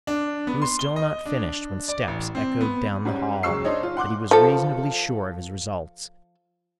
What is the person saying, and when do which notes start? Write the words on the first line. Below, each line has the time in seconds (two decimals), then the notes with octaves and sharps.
He was still not finished when steps echoed down the hall, but he was reasonably sure of his results.
0.07 D4
0.47 B3
0.62 C6
0.79 G7
0.96 D#5
1.26 D4
1.88 D5
2.08 A1
2.35 C4
2.61 B3
3.05 G#2 G3 C#4
3.43 F#1 F#3 G#3 C#6 E6 C7
3.64 D4 D#4 C5 C#5 D#5
3.83 F4
3.97 F#5 C6 D6 F#6
4.31 F3 A4